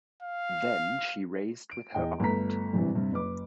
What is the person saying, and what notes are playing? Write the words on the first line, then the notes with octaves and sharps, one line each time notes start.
Then she raised with her aunt.
F5
D7
E2 D#5 G5
G1 A3 B4 A#5 B6
G#1 G2 C3 E3
G2 C3
F#1 B4 D6